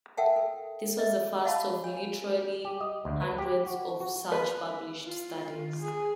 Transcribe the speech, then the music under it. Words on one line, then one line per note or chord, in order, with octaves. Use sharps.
This was the first of literally hundreds of such published studies.
A4 A#4 E5 F#5 G5 A5
A4
D#5 E5
D#5 F5 F#5 A5 B5
C#5 G#5
G4
D#5
D2
B4
G4
F#4
F#4
B4
F4
G#4